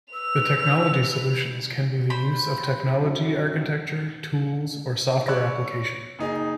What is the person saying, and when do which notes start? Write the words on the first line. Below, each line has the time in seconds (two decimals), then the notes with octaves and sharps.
The technology solutions can be the use of technology architecture, tools, or software application.
0.14 B4 E6 F7
2.10 C5 B5
3.02 F#2
5.28 C#5 D5 B5 C#6 E6 F#6
6.19 F#1 D#4 G#4